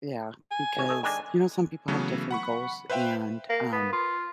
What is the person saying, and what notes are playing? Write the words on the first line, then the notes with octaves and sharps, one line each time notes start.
Yeah, because, you know, some people have different goals and, um
G#5
G#1 C#5
A3 D#5
D#3 G#3 D4 G#5
C#3 E3 F#3 A3 B3
F#5 B5 C#6
B4 C5 E5 F5 G5
A#3
B3
F4